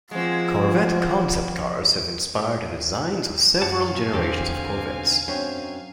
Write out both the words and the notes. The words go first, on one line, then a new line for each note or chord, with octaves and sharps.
Corvette concept cars have inspired the designs of several generations of Corvettes.
F3 G#3 A#3 C4 F#4
F#2 F5 F#5 G#5 A5
E2 B2 D3 D#3 C4 G4 A4
F#2 C4 D4 C#5